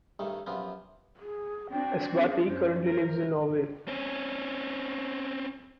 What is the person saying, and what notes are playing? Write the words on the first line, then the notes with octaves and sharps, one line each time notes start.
Esbati currently lives in Norway.
C2 G2 D#3 A3
F#2 C3 F3 B3 F4
G#4
C4 D4 F#4 G5
G#4
F#2 C#4 D4 C5
A#4 C5
C4 C#4